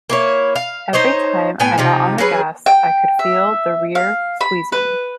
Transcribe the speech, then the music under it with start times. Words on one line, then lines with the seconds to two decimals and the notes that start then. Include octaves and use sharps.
Every time I got on the gas I could feel the rear squeezing.
0.09 A#3 E4 C#5
0.56 F5
0.93 D#4 C5 C#5 D#5
1.60 A2 B3 G5 G#5
1.78 C3 F3 D#4
2.18 F#3 C#4 G#4 B4
2.66 G5
3.19 E5
3.95 F5
4.41 B5
4.72 B4